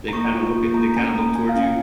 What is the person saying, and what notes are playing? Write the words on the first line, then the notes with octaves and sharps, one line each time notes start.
they kinda look at they kinda look towards you
A#5
A#3 C#6
F4
A#3
A#3 A#5
C#4 G#5
A#5
A#3
A#3 G#5
F5
C#4
G#5